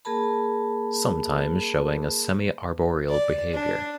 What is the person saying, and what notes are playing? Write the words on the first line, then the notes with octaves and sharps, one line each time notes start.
Sometimes showing a semi-arboreal behavior.
A#3 G#4 A#4 A5 B5
D5
D4